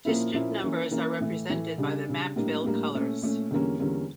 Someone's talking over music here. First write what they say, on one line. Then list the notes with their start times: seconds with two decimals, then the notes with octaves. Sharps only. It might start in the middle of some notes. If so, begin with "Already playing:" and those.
District numbers are represented by the map fill colors.
0.05 A#2 F3 A#3 C#4 E4
0.34 A#2 F3 A#3 C#4 E4
0.63 E3 A#3 C#4
0.91 E3 A#3 C#4
1.20 A2 E3 A3
1.49 A2 E3 A3
1.78 C#3 G3 D4
2.06 C#3 G3 D4
2.36 A2 G3 A#3 D4
2.64 A2 G3 A#3 D4
2.94 A#2 A3 C#4
3.22 A#2 A3 C#4
3.51 E2 D3 G3 A#3 C#4
3.80 E2 D3 G3 A#3 C#4